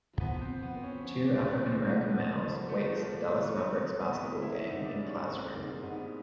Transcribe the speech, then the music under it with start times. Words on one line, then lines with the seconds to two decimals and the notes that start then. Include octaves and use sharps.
Two AfricanAmerican males wakes a Dallas Mavericks basketball game in classroom.
0.20 F3 B3
0.41 C4
0.48 F3
0.63 B3
0.76 B3
0.83 C#4
1.04 F3 C#4
1.26 D4
1.32 B3
1.47 C#4
1.61 G#3
1.68 C4
1.89 F3 B3
2.10 B3
2.17 F3
2.32 A#3
2.45 F3
2.52 A#3
2.69 A3
2.73 G#3 A#3
3.01 F3
3.16 A#3
3.30 F3
3.58 A3 C4
3.79 A#3
3.86 C4
4.00 B3
4.14 E3
4.21 A#3
4.42 C4 E4
4.64 D#4
4.70 G#2
4.85 D4
4.98 G3
5.05 C#4
5.26 A#3 C4
5.55 G#2 A#3
5.83 G#2 B3